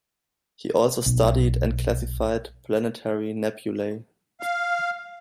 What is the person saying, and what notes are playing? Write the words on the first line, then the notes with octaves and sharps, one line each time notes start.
He also studied and classified planetary nebulae.
B1
F5